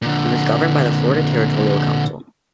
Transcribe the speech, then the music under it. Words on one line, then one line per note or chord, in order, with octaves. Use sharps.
It was governed by the Florida Territorial Council.
A#2 D3